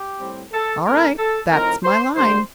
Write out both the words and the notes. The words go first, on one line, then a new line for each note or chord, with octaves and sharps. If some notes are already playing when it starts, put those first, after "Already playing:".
"All right--that's my line."
Already playing: G4
A2 G3 C4
A4
A#2 A3 C4 A#4
A4
A2 F3 C4 D#4 A#4
C5
D3 G3 A#3 C5